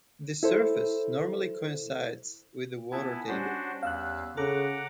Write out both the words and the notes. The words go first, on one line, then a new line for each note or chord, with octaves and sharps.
This surface normally coincides with the water table.
E4 A4 C5
B3 E4 F4 G#5 A5
G3 C#4 D4 F#4 C5 F#5
E2 F5 E6 F#6
C#3 A4 F#5 A#5 D6 F#6